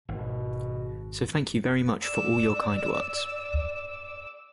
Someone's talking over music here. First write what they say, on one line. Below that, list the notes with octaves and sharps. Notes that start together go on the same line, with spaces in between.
So thank you very much for all your kind words.
G#1 B2
D5 D6 E6